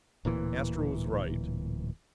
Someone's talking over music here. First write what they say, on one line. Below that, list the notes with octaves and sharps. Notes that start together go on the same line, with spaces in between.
Astro was right.
D1 A#2 E3